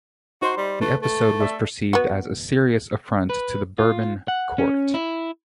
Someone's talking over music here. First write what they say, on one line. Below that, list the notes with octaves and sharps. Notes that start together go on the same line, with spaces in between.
The episode was perceived as a serious affront to the Bourbon court.
D#4 F#4 C5 C6
G3
A3 B4
A3
A4 D5 E5
B3 F#4
B4
F4
F#5
C#4
E4